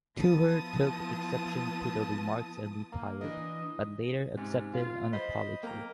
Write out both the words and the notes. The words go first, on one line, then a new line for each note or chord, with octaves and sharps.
Tooher took exception to the remarks and retired, but later accepted an apology.
F3 B3 E4 A5 D#6
A#3
E3 D4 D#5
G#2 C3 C#4
F4 F5
C5 D#5 B5
A#3 G5 A#5